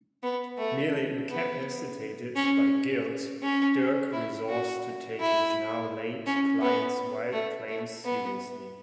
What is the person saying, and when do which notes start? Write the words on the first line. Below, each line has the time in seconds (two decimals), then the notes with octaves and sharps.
Nearly incapacitated by guilt, Dirk resolves to take his now-late client's wild claims seriously.
0.23 B3
0.58 A3
1.29 B3
2.36 C#4
3.43 C#4
4.13 E4
4.49 F#4
5.20 E4
6.26 C#4
6.61 B3
7.32 A3
7.68 A3
8.04 B3